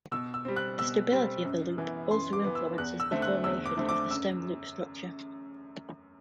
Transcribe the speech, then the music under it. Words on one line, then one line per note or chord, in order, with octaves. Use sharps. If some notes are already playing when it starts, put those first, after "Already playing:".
The stability of the loop also influences the formation of the stem-loop structure.
B2 E6
E6
G3 C4
F#6
B2 E6
G3 C4
F#2
E3 B3
F#2 C6
D6
E3 B3
E6
E2 F#6
E6
D3 A3 C4
F#6
E2 E6
D6
D3 A3 C4
D6
F#2 E6